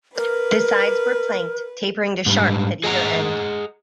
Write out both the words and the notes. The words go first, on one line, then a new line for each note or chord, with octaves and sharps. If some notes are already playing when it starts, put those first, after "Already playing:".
The sides were planked, tapering to sharp at either end.
A#4 B4
G#2 G3
G#4 D#5 F#5 G#5 A#5